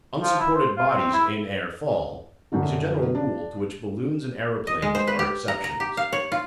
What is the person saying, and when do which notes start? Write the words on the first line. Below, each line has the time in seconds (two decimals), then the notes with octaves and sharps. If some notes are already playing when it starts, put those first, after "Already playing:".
'Unsupported bodies in air fall' is a general rule to which balloons and aeroplanes are exceptions.
0.23 F3
0.39 E4
0.55 C5
0.77 F4
0.89 C4
1.13 E4
2.52 F#2 A2 D3 E3
3.15 D4
4.67 D#5
4.82 G#3
4.95 C5
5.07 B4
5.19 G4
5.48 A#5
5.64 A#5
5.80 G4
5.97 F5
6.12 C#5
6.32 F4